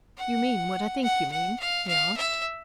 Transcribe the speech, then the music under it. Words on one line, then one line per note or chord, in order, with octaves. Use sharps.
"You mean what I think you mean?" he asked.
F#5
F#5
F#5
F5
F5
E5